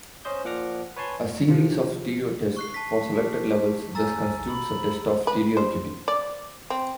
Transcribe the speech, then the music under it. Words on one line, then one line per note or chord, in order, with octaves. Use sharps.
A series of stereotests for selected levels thus constitutes a test of stereoacuity.
C#4 C5 D#5 G6
A#2 F3 F#5 D6 F6 A#6
B4 C#5 G#5 A5 C6 G#6
C3 F3
C#6 F#6 C7
A5 B6
G4
G#5 A#5 E6 A6
B5
B4
C5
D5
C4